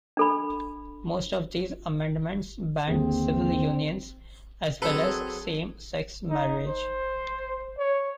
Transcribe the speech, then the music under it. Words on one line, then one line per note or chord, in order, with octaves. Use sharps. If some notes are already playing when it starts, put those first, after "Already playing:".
Most of these amendments banned civil unions as well as same-sex marriage.
D4 A4 B5
D#2 D3 C4 G#4
F#3 C4 G#4 A4 B4
D#4
C5
C#5